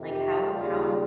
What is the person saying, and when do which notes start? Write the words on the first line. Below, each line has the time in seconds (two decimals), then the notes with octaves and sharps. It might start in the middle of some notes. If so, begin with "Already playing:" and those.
Like, how how
Already playing: F2 C3 D#3
0.11 G4
0.54 D#2 C#3 G3 F4